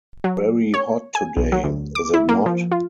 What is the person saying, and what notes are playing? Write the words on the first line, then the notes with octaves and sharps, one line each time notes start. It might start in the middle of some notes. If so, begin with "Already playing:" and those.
Very hot today, is it not?
F#3
C#5
G#5
B1
F#3
D2
D6
E4
A#3
F3
F4